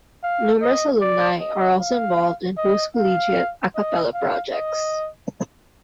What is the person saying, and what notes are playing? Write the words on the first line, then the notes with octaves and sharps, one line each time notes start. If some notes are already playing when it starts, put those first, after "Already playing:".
Numerous alumni are also involved in post-collegiate a cappella projects.
F5
D#5
D5
D#5
F5
D#5
F5
D#5
F5
D#5